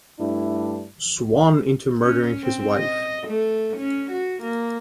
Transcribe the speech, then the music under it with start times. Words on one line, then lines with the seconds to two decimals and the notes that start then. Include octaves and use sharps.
Swann into murdering his wife.
0.18 G2 A3 D4 E4
2.01 C#4
2.43 C4
2.78 D#5
3.27 A3
3.77 C#4
4.11 F#4
4.42 A#3